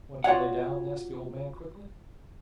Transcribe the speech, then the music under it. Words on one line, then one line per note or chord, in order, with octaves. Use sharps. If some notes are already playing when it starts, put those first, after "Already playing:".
"Want to lay down?" asked the old man quickly.
F4 F#4 G#4 C#5 D5 F#5